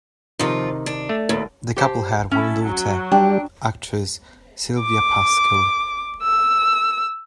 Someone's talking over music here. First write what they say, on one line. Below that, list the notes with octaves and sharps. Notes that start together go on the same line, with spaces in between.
The couple had one daughter, actress Sylvia Pasquel.
C3 D#3 F3 D#4 F4
D4
A3
D#2 B2
G4 C5 A5
C#4 E4 A4
F#3 F#4
G3 D4 G5
D6
E6